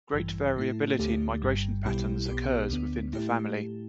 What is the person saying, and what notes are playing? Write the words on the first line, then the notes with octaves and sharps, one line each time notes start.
Great variability in migration patterns occurs within the family.
A1 G2 E3
A2 A3 E4
D2 D3 A3 G4
G1 G2 G3
B1 B2 G3 E4 G4
B1 B2 B3 G4
D2 D3 B3
A2 A3 E4 G4